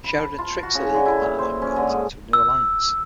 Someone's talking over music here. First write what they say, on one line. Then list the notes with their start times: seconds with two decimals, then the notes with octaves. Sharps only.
Sheridan tricks the League of Non-Aligned Worlds into a new alliance.
0.04 B5
0.18 A5
0.38 F4
0.63 F#4
0.75 C#3
0.94 D3
1.06 E4
1.21 A#2
1.39 C5
1.62 C#4
1.76 D3
1.88 G#2
2.33 E6